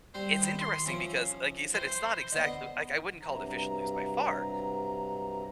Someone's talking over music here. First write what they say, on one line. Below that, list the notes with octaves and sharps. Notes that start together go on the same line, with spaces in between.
it's interesting because like you said it's not exactly like, I wouldn't call it official news by far,
G3 C4 C5
D#3 E4
C6
F3 C#4 E5
E3 C5
D3 B3 D#5
G2 C3 F#3 A#5